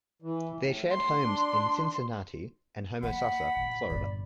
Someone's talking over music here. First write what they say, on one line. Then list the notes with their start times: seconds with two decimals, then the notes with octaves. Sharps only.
They shared homes in Cincinnati and Homosassa, Florida.
0.22 E3
0.59 A2
0.91 C6
1.23 D4
3.03 A#3 F#5 B5
3.56 A#2
3.89 G1 A#2 D5